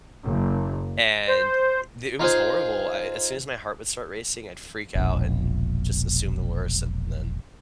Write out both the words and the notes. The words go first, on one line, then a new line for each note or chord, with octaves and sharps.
and the it was horrible, I as soon as my heart would start racing, I'd freak out, and just assume the worst, and then
F#1
C5
D#4 F4 G#4 C5
E1 A#1